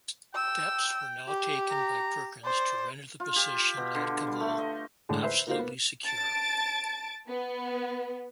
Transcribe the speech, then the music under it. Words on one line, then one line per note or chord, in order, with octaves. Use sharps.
Steps were now taken by Perkins to render the position at Kabul absolutely secure.
G5 E6
G4
A#5
C5 D5
F4
G4
B2
D3
G3
A3
D#5
A2 D3 G#3 A3
B4 C5 E5
A#3 D#4 F4 F#4 A#4 C5
A#3 B3
A5 A6 D7
B3